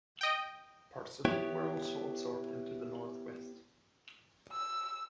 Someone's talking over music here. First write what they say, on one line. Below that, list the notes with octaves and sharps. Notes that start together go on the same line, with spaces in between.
Parts of it were also absorbed into the North West.
D#5 G5
B3 E4 G4 C#5
E6